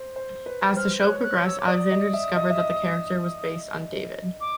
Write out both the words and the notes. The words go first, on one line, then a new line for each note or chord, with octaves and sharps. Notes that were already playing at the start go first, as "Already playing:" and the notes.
As the show progressed, Alexander discovered that the character was based on David.
Already playing: C5
C5
B4
C5 F6
F#6
C#5
F#6
C#5
E6
D6
D5 D#6
D#5
E5
D#5
E5
D#5
D6